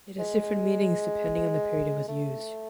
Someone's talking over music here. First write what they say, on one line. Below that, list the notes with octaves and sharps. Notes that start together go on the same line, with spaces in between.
It has different meanings depending on the period it was used.
G#3
A3